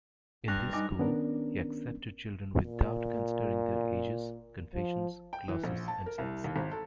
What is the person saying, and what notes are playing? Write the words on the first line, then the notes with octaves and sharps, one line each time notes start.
In this school, he accepted children without considering their ages, confessions, classes and sex.
G2 F#6 A#6 F7
G3 D#4 G#5 D6
D#3 B3 C#4 D4 A#4
A#2
F3
G5
E3
A#1
A5
A#4
C2
D#2
G#1
A4